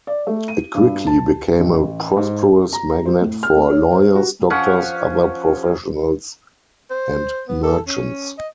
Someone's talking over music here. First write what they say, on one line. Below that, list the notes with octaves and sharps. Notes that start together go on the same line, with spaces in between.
It quickly became a prosperous magnet for lawyers, doctors, other professionals, and merchants.
D5
A3
D#7
G2
A5
A1
G#2
A#5
C5
A2
F6
A3
C#5
C5
F#4
F3 C#4 F#5
C5
B3
A4
C#4
D#5